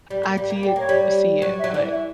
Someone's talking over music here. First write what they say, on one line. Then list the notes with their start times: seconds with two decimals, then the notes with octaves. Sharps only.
I did see it but
0.10 G3
0.23 A#3
0.37 G3
0.50 A#3
0.63 G3
0.76 A#3 C#5
0.89 G3
1.42 F#3 D5
1.58 E5
1.64 F#3
1.74 E3 D5
1.90 E5